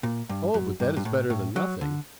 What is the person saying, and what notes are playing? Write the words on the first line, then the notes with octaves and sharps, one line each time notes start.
Oh! but that is better than nothing....
A#2
G2
F#2
G2
G2
A2
A2
F#3
D3